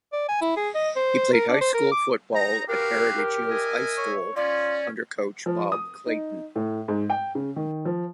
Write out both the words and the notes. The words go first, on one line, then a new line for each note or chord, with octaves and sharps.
He played high school football at Heritage Hills High School under Coach Bob Clayton.
D5
G#5
E4
G#4
D#5
C5
A#4
D4
C5
A#4
D6
D#4 A#5
F#4 G4 A#4 B4 F5
A#4
D#5 E5 G#5
C#5
C#4 F4 D5
F3
D#6
D#4
A2
G#2
G5
C#3
D#3
F3